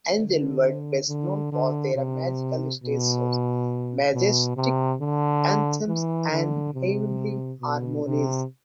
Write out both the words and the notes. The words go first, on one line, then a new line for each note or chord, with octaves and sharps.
Angel were best known for their magical stage shows, majestic anthems and heavenly harmonies.
D3
D3
D3
C3
B2
B2
C3
D3
E3
D3
C3
B2
C3